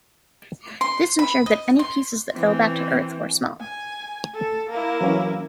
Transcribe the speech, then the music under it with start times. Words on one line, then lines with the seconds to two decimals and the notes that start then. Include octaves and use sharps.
This ensured that any pieces that fell back to Earth were small.
0.81 C6
1.19 B5
1.46 D#5
1.79 C6
2.34 E3 C4
3.60 G#5
4.34 A4
4.70 A#3 E4
5.01 E3 F#3 C#4